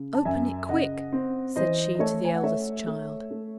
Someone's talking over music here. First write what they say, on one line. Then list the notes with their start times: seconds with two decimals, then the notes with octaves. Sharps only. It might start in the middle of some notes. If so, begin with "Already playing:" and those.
Open it quick,' said she to the eldest child.
Already playing: C#3
0.15 A5
0.25 F#2 E5 G#5
0.69 C#3 D#5 F#5
1.12 C4
1.56 E3 C5 D#5
1.95 D#5
1.99 A3 A4 C#5
2.25 G#5
2.34 F#5
2.43 A3 C#5 E5
2.87 A3
3.31 A3